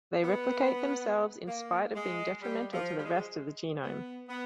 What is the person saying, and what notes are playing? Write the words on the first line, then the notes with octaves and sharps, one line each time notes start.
They replicate themselves in spite of being detrimental to the rest of the genome.
B3
A#3
G#3
G3
F3
G3
G#3
B3
B3